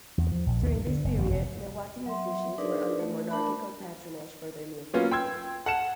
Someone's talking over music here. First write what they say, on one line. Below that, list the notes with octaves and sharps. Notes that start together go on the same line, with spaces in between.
During this period, Mewati musicians were under monarchical patronage for their music.
E2
F3
A#1
D#2
G2
D3
F#1
A1
F1
F#3 E5 C6
D4 D#4 G#4 A#4 B4 D5
A3
D4 A#4 D5 A5 B5
F#3 A#3 B3 C#4 F4
G5 C6 E6 G#6
F#5 A5 C#7 E7